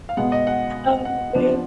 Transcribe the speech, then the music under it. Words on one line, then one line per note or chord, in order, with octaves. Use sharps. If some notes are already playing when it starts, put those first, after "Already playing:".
Oh, man.
F5
B2 G#3 B3 F#5
D#5
F#5
F#5
F3 B3 D4